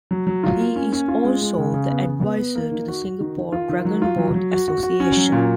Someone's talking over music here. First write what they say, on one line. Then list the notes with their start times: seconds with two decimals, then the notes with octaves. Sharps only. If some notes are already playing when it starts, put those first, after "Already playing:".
He is also the advisor to the Singapore Dragon Boat Association.
0.11 F#3
0.27 F#3
0.43 F4
0.60 A#3
0.76 C#4
0.92 C#4
1.08 F4
1.24 G#3
1.42 G#3
1.58 C#3
1.74 C#3
1.90 B3
2.06 C#3
2.22 B3
2.38 B3
2.55 A#3
2.71 D#3
2.88 F#4
3.04 F#4
3.20 D#3
3.37 D#3
3.52 F4
3.69 D#3
3.85 F#3
4.02 F4
4.18 F#3
4.35 F#3
4.52 F#4
4.68 F#4
4.83 F#4
5.00 C#4
5.17 F#3
5.32 A#2